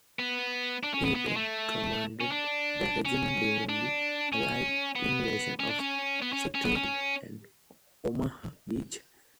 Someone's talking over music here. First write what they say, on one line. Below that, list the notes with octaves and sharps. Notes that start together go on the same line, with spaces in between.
He then commanded the Regiment during the Allied invasion of Sicily and Omaha Beach.
B3
D4
C#4
B3
B3
G#3
A3
C#4
D4
C#4
D4
C#4
B3
C#4
D4
C#4
B3
C#4
C#4
B3
C#4